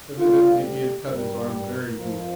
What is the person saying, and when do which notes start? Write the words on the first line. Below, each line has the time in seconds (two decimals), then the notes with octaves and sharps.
Evidently he had cut his arm very deep.
0.18 D2 D3 G3 F4
0.62 G4
1.06 G2 G3 A#4
1.51 A#4
1.95 F2 F3